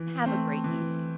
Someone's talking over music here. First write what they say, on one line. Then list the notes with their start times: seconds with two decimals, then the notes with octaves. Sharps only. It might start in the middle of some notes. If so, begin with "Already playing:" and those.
Have a great evening.
Already playing: E3
0.26 A3 C4
0.64 E3